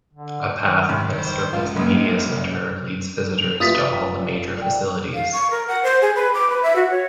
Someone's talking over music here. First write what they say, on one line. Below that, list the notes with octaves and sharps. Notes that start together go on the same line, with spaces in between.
A path that circles the media center leads visitors to all the major facilities.
D3
D#3
C2 G#2
F1 C5
A1 F#2 G#3 F4
C#2 A#2
F1 F4 G4 B4 E5 D#6 A6 B6
D5 G5
F5
C#6
A#4
F#5
C5
G#4
B4
D6
B4
E5
F#4
C#5